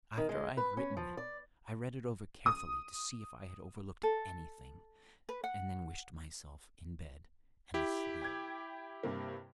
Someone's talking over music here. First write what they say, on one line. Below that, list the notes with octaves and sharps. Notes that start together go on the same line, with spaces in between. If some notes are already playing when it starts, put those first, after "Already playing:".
After I had written it I read it over carefully to see if I had overlooked anything, and then wished myself in bed and asleep.
D#3
G#3
B4
C#4
F3
D5
D#6
A4
B4
F#5
E4 G4
G5 D6 G#6
G2 C3 A#3